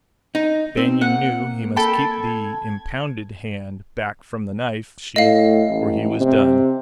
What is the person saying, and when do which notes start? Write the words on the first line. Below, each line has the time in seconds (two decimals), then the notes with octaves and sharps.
Banion knew he must keep the impounded hand back from the knife sheath or he was done.
0.35 D#4
0.77 C4 D#4
1.01 A#3 F#5
1.76 A4 G5 B5
2.11 G#6
5.16 A2 D#5 F5
5.70 A1
6.20 C3